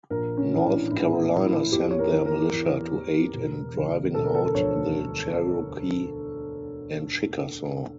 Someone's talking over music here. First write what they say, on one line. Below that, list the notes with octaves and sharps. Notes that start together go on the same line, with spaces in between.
North Carolina sent their militia to aid in driving out the Cherokee and Chickasaw.
A#1 A#4
C#4
A2 E3 E4
D4
A#1 E4
E4
A2 E3
E4
E2 G4
C#5
A#4
E3
A#4
E2
E3
E1
D2 D3 F3
E1 A4
A#4
A4
D2 D3 F3 C#5